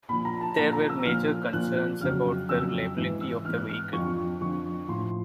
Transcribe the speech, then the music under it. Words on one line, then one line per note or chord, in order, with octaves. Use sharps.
There were major concerns about the reliability of the vehicle.
A#2 F3 B5
A#5
A5
A#2 F3 A#5
A#5
E6
A#2 F3 F6
A#2 F3 F#6
F2 C#3 F#3 F6
F2 C#3 F#3 E6
G#2 E3
E6
G#2 E3 F6
F#6
F6
F2 D3 F3 C#6
F2 D3 F3 C#6
A2 F3 C6